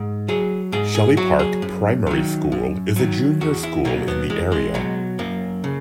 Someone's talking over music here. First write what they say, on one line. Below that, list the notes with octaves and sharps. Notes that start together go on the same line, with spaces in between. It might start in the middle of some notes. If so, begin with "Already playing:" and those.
Shelly Park Primary School is a junior school in the area.
Already playing: G#2
F#3 G#4
G#2 G#4
G#4
F#3 F#4
G#4
F#2
D#3 F#3
F#2
D#3 F#3
E2 F#4
E4
B2 F#3 A#3
B3
E2 G#3
G#3
B2 F#3
F#2 A#3
C#3